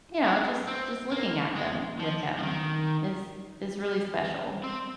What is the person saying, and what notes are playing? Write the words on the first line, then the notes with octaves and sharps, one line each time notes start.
you know, just just looking at them with him is is really special.
G#3
C4
A#3
G#3
F3
F3
D#3
C4